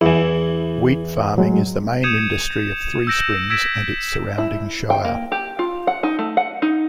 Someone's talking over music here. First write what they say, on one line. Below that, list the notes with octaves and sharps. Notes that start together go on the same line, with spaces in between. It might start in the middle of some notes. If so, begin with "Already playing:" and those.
Wheat farming is the main industry of Three Springs and its surrounding Shire.
E2 E3 E4
A2 F#3 G#3
D#6 G6 G#6 C#7 D#7 E7
E6 G6 A#6 D7 E7
E6 G#6 A#6 B6 D7 E7
E4
G5
A#3
G4
F4
F#5
D#4
A3
F#5
D#4